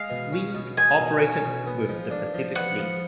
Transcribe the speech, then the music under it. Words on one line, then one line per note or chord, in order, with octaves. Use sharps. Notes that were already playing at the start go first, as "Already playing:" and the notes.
"Minsk" operated with the Pacific Fleet.
Already playing: G#3 F5
B2
C#4
B2
G#3 G#5
B2
C#4
B2
B3
F3
D4
F3
B3 F#5
F3